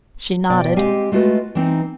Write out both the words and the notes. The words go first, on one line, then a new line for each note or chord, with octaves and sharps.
She nodded.
B2 D5 G5
G#3 C4 G4 F5 G#5
G#3 A3 F4 F#4 B4
E3 C4 D#4